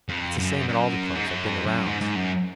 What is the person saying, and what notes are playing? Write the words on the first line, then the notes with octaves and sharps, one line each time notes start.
It's the same at all the clubs; I've been the rounds.
F2
F#2
F#2
G#2
F#2
F2
F#2
G#2
G#2
F#2